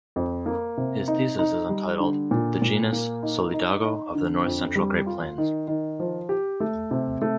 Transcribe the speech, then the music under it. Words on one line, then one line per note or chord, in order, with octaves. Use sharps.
His thesis is entitled "The genus "Solidago" of the north central Great Plains".
F2
A#3
C3
D#4
D#4
G3
D3
A#2
A#2
A#3
D#4
D#4
D#4
D3
F2
G3
F4
D#3
D#3
F3
G4
A3
C3
A3